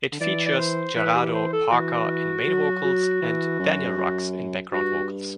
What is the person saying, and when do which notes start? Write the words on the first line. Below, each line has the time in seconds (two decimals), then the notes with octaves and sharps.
It features Gerardo Parker in main vocals and Daniel Rucks in background vocals.
0.12 D3
0.21 E3 D5
0.46 D5
0.58 C5
0.96 E3 B4
1.14 G4
1.34 C5
1.53 A4
1.71 E3 F#4
2.47 F#3
2.85 F#3
3.22 E3
3.59 F#2
3.97 F#2
4.72 G2 F#4